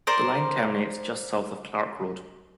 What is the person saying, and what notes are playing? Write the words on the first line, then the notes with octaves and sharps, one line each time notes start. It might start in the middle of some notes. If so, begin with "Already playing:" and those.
The line terminates just south of Clark Road.
A#4 C5 D5